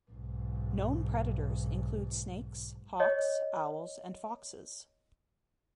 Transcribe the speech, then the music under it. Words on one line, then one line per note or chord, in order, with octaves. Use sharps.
Known predators include snakes, hawks, owls, and foxes.
B1 G#2
C#5 D#5